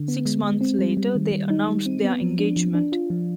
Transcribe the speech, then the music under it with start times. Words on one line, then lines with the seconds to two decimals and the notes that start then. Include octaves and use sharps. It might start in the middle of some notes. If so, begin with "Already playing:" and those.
Six months later, they announced their engagement.
Already playing: D3
0.08 B3
0.25 G#3
0.43 G#3
0.61 C4
0.79 G3
0.97 G3
1.15 D#3
1.32 G3
1.50 D#4
1.68 G3
1.86 C4
2.04 B3
2.21 F3
2.39 D4
2.56 F3
2.74 D4
2.92 F4
3.10 F3